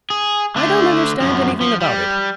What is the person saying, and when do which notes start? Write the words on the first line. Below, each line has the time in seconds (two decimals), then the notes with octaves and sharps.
I don't understand anything about it.
0.10 G#4
0.56 D3 A3
1.20 F#2 F3
1.61 F3
1.81 G3